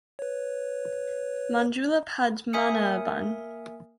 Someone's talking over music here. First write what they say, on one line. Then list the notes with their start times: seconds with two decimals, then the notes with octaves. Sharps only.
Manjula Padmanabhan.
0.19 B4 C#5
2.53 A#3 A#4 E5 G#5 D#6 C#7